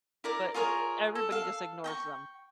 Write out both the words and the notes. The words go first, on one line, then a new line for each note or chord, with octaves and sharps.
but everybody just ignores them.
E4 A#4 D5
F4 G#4 A#4 C#5
A4
A4 F5
G5 A#5 C#6